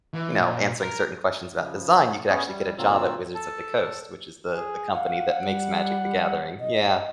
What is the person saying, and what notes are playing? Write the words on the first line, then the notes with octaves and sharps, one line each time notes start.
you know, answering certain questions about design, you could actually get a job at Wizards of the Coast, which is the the company that makes Magic: The Gathering. Yeah.
E3
A#2
A#4
C#3 F3
B3 C#4 G#4
G3
A#2 D3 F#3 C4 F4 E6
A4 A5
G#4
F5 F#5
G3
D#5